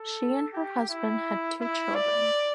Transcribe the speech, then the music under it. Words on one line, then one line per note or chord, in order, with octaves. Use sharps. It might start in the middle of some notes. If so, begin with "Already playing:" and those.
She and her husband had two children.
Already playing: A4
G4
E4
E4
D5